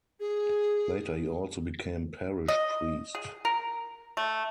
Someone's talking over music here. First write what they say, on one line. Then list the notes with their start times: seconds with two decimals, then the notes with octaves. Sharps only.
Later he also became parish priest.
0.20 G#4
2.48 D#5
3.15 G#4
3.45 A#4
4.17 A3